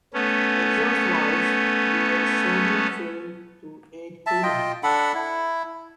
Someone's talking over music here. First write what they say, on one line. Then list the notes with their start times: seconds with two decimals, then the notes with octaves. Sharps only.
Exhaust valves were sodium-filled to aid cooling.
0.14 A3 B3 C#4
4.26 E5 A5
4.43 F4 D#5 G5
4.83 D4 A4 F#5 B5
5.14 E4